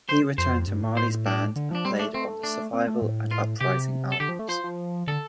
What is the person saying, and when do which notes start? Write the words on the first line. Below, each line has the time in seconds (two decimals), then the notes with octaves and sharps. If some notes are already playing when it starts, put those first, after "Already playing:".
He returned to Marley's band and played on the "Survival" and "Uprising" albums.
0.09 C5
0.38 F2 C5
0.68 G2
0.83 A2
0.97 C5
1.26 D4
1.56 D3
1.71 F3 D4
1.85 G3 C4
1.99 A3 D4
2.14 A3 C4
2.43 D4
2.73 C4
2.87 A3
3.02 A2
3.31 F4
3.61 C3 G4
4.12 A4
4.20 D3 G4
4.29 F3
4.39 A3
4.48 F3 C5
4.64 F3
5.07 D3 A4